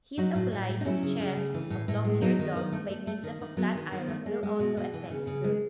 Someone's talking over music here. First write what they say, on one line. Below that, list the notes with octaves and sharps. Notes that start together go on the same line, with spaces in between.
Heat applied to the chests of long-haired dogs by means of a flat iron will also effect good.
F#3 D#4 F#4
A2
A2
A3
D#4
F#3 C#4 E4
C#3
C#3
A3
E3
A2
A2
G#3
F#3 B3 D#4
D#3
D#3
A3
A3
A3
D#3
D#3
F#3 B3
D#3
D#3
A3
G#3
G#3
B2
B2
E3
C#3
C#3
G#3